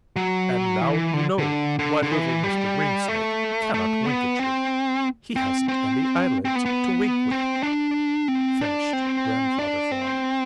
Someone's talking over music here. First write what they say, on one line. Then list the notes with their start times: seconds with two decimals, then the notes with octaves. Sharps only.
"And now you know why little Mr. Greensnake cannot wink at you; he hasn't any eyelids to wink with" finished Grandfather Frog.
0.16 F#3
0.81 E3
1.14 D3
1.38 D3
1.79 D3
2.03 D3
2.12 E3
2.43 G3
3.08 A3
3.74 A3
4.06 B3
4.39 C4
5.36 C4
5.68 C4
6.45 C4
6.56 B3
6.66 B3
7.31 C4
7.63 D4
8.28 C4
8.61 D4
8.93 C4
9.59 D4
9.92 C4